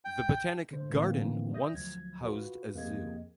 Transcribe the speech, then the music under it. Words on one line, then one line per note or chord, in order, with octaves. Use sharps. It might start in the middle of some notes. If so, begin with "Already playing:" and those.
The Botanic Garden once housed a zoo.
G5
D3 C5
A2 D3 E3 F3 A#3 C4
D5 E5 D#6 G6 A#6
D2 F3 F#3 G#6
F4 F#4 B4
F2 A#3 G4 G#4 D#5 G#6